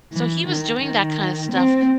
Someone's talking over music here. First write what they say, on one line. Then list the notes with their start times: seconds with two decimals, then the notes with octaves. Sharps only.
So, he was doing that kind of stuff
0.12 E3
0.48 D#3
0.83 D#3
1.52 C4